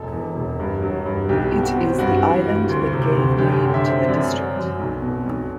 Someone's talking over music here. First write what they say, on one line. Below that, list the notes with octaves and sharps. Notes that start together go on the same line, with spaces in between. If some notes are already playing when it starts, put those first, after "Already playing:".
It is the island that gave name to the district.
Already playing: E1 F#2 A4
E2
E1
G2
F#3
G2
B1 G4
B2
F#4
C4
G2 F#4
E3
G2
D2
C3
D2
F#2 G4
D3
E5
C4
F#2 D5
F#3
F#2
B1
B2
B1